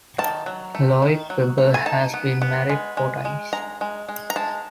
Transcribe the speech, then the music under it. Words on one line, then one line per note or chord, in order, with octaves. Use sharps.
Lloyd Webber has been married four times.
D#3 A5
F#3
A3
D#3
F#3
A3
G#5
D#4 A5
B3
B3
G#3
G#3
G#3
G#3 A#5
G#3
G#3
A#5
G#3 A5